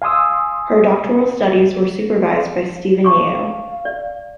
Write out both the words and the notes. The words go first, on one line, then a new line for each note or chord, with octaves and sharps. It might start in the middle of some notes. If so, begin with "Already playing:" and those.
Her doctoral studies were supervised by Stephen Yeo.
F5 G#5 C6 D#6 E6
F5 A5 C#6 D6
D5